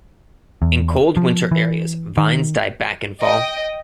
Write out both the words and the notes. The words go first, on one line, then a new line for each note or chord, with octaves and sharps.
In cold winter areas, vines die back in fall.
E2
F3
E3
D#3
D#5 G5